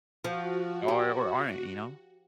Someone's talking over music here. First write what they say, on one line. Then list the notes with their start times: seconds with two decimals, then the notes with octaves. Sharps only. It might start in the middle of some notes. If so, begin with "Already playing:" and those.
are or aren't, you know?
0.24 F3 F#4
0.88 G4